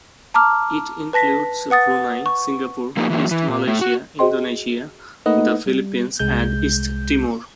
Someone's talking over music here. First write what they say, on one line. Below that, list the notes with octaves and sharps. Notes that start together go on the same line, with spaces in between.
It includes Brunei, Singapore, East Malaysia, Indonesia, the Philippines and East Timor.
A5 A#5 D6 F6
B4 A5 A#6 B6
B4 F#5 D#6 A6
C#6
F3 A#3 B3 D#4 G4
E3 F#3 G#3 A#3
E3
A#2
A2 A3
F#4
F#4 G#4 C5 D#5 G5 C6
A3 A#3 D#4 B4 D#5 F#5
G3
C2 G#3 G6